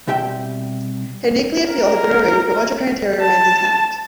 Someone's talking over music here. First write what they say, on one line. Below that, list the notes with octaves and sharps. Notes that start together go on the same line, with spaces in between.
Her nuclear fuel has been removed but much of her interior remains intact.
C2 B2 G4 E5 G5
A#4
A5